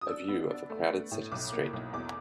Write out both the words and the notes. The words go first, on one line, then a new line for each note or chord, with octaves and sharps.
A view of a crowded city street.
D#6
D4 E6
B3
D4
A3
A3
A2
B1 D6
A#3
B1
E2 D6